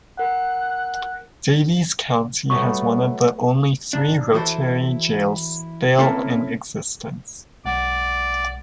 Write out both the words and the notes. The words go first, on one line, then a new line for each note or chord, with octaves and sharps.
Daviess County has one of only three Rotary Jails still in existence.
A#4 F#5 F#6
F#3 G3 A3 B3 F#5 C#6
G#2 D4
E3 E4 F#4 A4 C5
A#3 C4 C#4 E4 A4 A#4
B1 G#3 D5 F#5